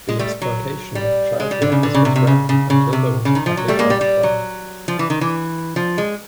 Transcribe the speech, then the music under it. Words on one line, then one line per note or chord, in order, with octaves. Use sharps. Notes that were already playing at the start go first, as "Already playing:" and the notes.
The exploitation of child workers was rampant until there was a public outcry.
G#3
G3 A3
F#3
G3
G#3
G3
D3
C#3
D3
C#3
C3
C3
C#3
C#3
C#3
C3
C#3
D#3
F3
F#3
G3 A3
G#3 A#3
G3
G3
F#3
F3
E3
D#3
E3
F3
G#3